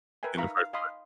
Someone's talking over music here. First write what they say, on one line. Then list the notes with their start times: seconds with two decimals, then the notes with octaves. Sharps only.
In the first
0.23 A#4 B4 E5 G5 G#5
0.37 D#4 E5 F5 A#5 B5 C#6
0.57 F5
0.73 D#5 F5 G#5 B5 C6 D#6